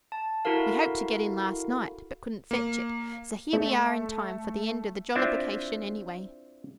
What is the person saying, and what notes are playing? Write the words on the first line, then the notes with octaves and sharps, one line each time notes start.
We hoped to get in last night, but couldn't fetch it, so here we are in time for the end of the jollification, anyway.'
A5
E4 F#4 A4 A#4 F5
A#3
A3
C4 D4 E4 F4 E5